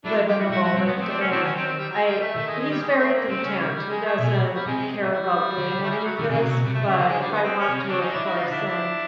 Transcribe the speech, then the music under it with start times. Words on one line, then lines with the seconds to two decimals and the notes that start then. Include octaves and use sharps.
live in the moment. And I he's very content. He doesn't care about doing any of this. But if I want to, of course, then
0.05 F#3 D4 E4
0.27 F4 G4
0.39 E4 F#4
0.50 G3 E4 F#4
0.62 G#3 E4 F#4
0.74 G3 C4
0.86 G#3 B3
0.97 A3 C4
1.08 C4 D4
1.20 C#4
1.31 E3 C4 D4
1.43 D#3 C#4
1.55 C4
1.66 C4
1.78 G3
1.90 F#3
2.05 G3
2.20 A3
2.35 D#3 A3
2.47 G#3
2.59 G#3
2.70 G3
2.81 G#3
2.97 A3
3.13 A#3
3.28 C#3 C4
3.43 C#4
3.58 G3
3.74 G3
3.89 G#3
4.05 A3
4.19 B2 G#3
4.31 G3
4.43 F#3
4.55 G3
4.66 C3 G#3
4.77 G#3
5.01 A3
5.12 G3
5.58 D3
5.83 A3
5.90 G#3
5.98 G3
6.04 F#3
6.16 D#3 G3
6.28 C3 G#3
6.35 C#3
6.40 F#3
6.43 C3
6.51 B2 F#3
6.63 C3 G3
6.74 A3
6.81 C#3
6.85 A3
6.96 D3 A#3
7.08 G#3
7.20 G3
7.31 B3
7.43 C4
7.58 C#4
7.69 C3
7.80 C#3
7.88 D3 C4 D4
8.00 C#4 D#4
8.12 D4 E4
8.24 E4 F#4
8.35 D#4 F4
8.50 D4 E4
8.66 D4 E4